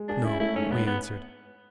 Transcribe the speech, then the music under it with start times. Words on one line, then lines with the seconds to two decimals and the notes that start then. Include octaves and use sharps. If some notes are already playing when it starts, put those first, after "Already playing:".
"No," we answered.
Already playing: G#3
0.09 D4 G#4
0.24 C#4 E4
0.40 A3 E4
0.56 G#2 C#4
0.70 G#2 B3
0.87 B3